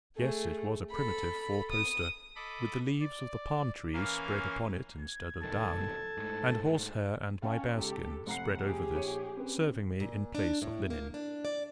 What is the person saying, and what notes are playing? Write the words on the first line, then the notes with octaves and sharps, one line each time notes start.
Yes, it was a primitive four-poster, with the leaves of the palm-tree spread upon it instead of down, and horsehair and my bearskin spread over this serving me in place of linen.
A3 G#4
A4 B5
D#6
A4 D#5 B5 D6
D5
E3 A#3 C#4 A#4 F5
G#6
F1 B1 D#3 A4 A5
G#2 A3
C#4 F5 G5 A5
C#2 G4 A4
F1 F#5 A#5 C7
G4 G#4
A#1 C#5 D#7
C4 C#4 B4
A#2
D4
A2
A#3
D4
D5